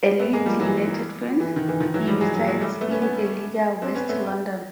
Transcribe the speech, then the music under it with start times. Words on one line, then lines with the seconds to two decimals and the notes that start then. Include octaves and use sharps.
A Leeds United fan, he resides in Ealing, West London.
0.19 A3 B3
0.33 G#3 A#3
0.46 F3 G3
0.60 E3 F#3
1.40 E3
1.56 D#3
1.69 E3
1.80 D#3 F3
1.94 E3 F#3
2.08 F3 G3
2.21 F#3 G#3
2.34 F#3 G#3
2.47 F#3 G#3
2.61 G3 A3
2.81 A3 B3
2.91 B3 C#4
3.01 B3 C#4
3.82 C4 D4
3.95 B3 C#4
4.09 A3 B3